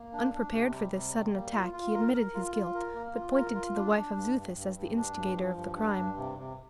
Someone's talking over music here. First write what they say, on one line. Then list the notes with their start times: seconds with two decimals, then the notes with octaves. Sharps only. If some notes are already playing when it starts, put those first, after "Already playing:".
Unprepared for this sudden attack he admitted his guilt, but pointed to the wife of Xuthus as the instigator of the crime.
Already playing: A#3
0.13 D4
0.33 D4
0.52 C3
0.73 G3
0.94 C3
1.13 G3
1.33 A#3
1.53 F4
1.73 F4
1.94 A#4
2.14 A#4
2.34 F4
2.55 F4
2.75 A#4
2.95 A#3
3.15 F4
3.35 A#4
3.55 F4
3.75 D4
3.96 D4
4.16 G2
4.36 G2
4.57 G2
4.77 G2
4.97 D4
5.16 G2
5.36 F3
5.57 G2
5.77 D4
5.98 G2
6.18 C3
6.38 C3